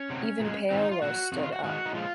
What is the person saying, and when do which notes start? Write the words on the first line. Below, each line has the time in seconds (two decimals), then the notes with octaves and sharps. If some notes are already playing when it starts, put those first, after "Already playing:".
Even Paolo stood up.
Already playing: C#4
0.10 C3 F#3
0.40 A#2 G#3
0.71 G#2 D#3 F#3 C4
0.81 D#4
0.91 F4
1.02 A#2 F#3 F#4
1.32 F2 C3 D#3 F#4
1.43 F4
1.52 F#4
1.63 G#2 D#3 G#3 F#4
1.86 D#4
1.93 A#2 F3 G#3 F4